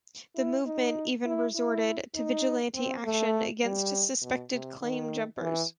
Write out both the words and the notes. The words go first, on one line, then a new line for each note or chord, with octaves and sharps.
The movement even resorted to vigilante action against suspected claim jumpers.
E4
D#4
E4
E4
D#4
C4
A3
G3
B2
C3
D#3
E3